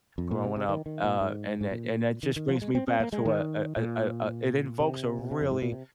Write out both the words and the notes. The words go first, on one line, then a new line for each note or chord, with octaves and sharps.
growing up, uh, and that and that just brings me back to a a a a a it invokes a really,
F2
A#2
C3
C3
D#3
D#3
A#2
G#2
G#2
A#2
D#3
D#3
F3
G#3
C4
C4
A#3
G#3
D#3
A#2
C3
A#2
C3
F2
G#2
A#2
C3